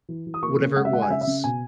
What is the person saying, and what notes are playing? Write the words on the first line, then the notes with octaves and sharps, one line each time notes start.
whatever it was
E3
E3
D#6
A#3 C#6
C#3
G#3 F#5
E5
G#3 F#5
G#5
C#3 E5
E5
C#3
B2 G#5